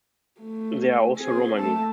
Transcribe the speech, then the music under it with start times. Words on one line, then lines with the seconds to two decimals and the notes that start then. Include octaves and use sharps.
There are also Romani.
0.41 A3
1.16 C4 G#4
1.59 A3 A4 A5